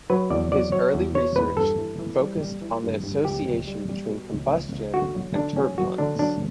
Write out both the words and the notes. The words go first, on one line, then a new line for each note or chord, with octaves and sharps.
His early research focused on the association between combustion and turbulence.
F#3 B4
E2 D5
F#3 D5
F#3 C#5
E2
B2 C#5
E2 B4
G2 A4
E3
E3
G3
G3
E3
G2
G2
C#2 G4
C#2
G3
G3
B2
C#2
C#2
C#2
D3 F#4
F#3
D3 D4
F#3 C#4
F#3 F#4
D3 D4
F#3 D4